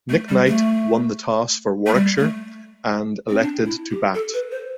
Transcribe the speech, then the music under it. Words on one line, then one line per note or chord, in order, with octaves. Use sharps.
Nick Knight won the toss for Warwickshire and elected to bat.
A3
G3
A3
A3
G3
A3
C4
D4
E4
G4
A4
B4
C5